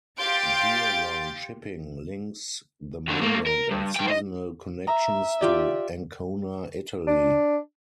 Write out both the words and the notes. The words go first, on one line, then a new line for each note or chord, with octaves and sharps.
Year-round shipping links the mainland and seasonal connections to Ancona, Italy.
G4 F5 C6 G6 A6 D7
D#2 D3
A3 A#3
A#4
G2
G2 G5
C5 D#5
E5 A#5
F4 G4 D5
D4